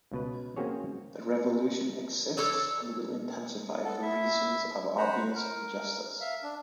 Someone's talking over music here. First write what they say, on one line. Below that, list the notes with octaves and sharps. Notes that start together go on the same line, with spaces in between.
The revolution ""exists and will intensify for reasons of obvious injustice"".
C#2 B2 B4
A#3 C4 C#4 F#4 G#4 C#5
A4 C#5 D5 E6
B3 A4
E4 E5
C5 F#5 A#5 B5
A#4
E5 F5
D4